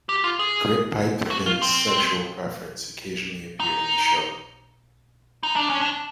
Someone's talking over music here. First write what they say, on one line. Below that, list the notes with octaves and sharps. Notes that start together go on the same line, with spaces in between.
Grytpype-Thynne's sexual preference occasionally appeared in the show.
G4
F4
G#4
F#4
F4
C4
D#4
D#4
D4
C#4
D4